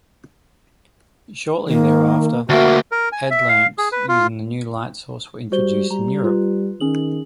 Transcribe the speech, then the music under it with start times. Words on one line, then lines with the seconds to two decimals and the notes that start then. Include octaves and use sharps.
Shortly thereafter, headlamps using the new light source were introduced in Europe.
1.68 D#3 A#3
2.49 D2 A#3 F#4 E5
2.92 A#4
3.12 G#5
3.31 E5
3.49 F5
3.78 G#4
3.92 B4
4.09 F4
5.52 G3 F#4 C5 G7
5.91 G3 A#5
6.24 F4 B4
6.80 D#3 C#4 G#4 F#7